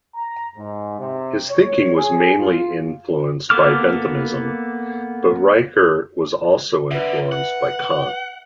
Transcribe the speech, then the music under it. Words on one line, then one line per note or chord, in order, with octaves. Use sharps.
His thinking was mainly influenced by Benthamism, but Richert was also influenced by Kant.
A#5
G#2
C3
C#5
G#4
F4
A#3 B3 A4 D6 F6
D3 B4 E5
F#5